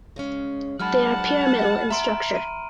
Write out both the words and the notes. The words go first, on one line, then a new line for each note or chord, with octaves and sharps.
They are pyramidal in structure.
C#3 G#3 C#4
F#3 G#3 D4 F#5 A5 B5 F6
E5 A#5 C6 D7
D#7